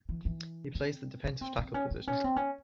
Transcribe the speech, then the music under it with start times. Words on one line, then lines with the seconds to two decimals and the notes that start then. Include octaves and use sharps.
He plays the defensive tackle position.
0.09 E3
0.25 E3
0.75 C4
1.24 C#4
1.41 C4
1.58 C4
1.74 C#4
1.91 C4
2.07 C#4
2.24 C4
2.36 C#4